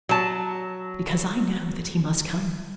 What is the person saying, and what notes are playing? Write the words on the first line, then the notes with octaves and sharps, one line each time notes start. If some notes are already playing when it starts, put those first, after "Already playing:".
"Because I know that he must come."
F#3 A5